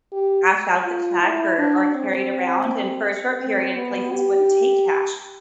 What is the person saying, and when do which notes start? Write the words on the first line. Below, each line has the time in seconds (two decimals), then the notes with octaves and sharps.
cash out the check or or carry it around, and for a short period, places wouldn't take cash
0.12 G4
0.85 F4
1.21 E4
1.58 D4
1.94 C4
3.40 C4
3.77 B3
4.12 G4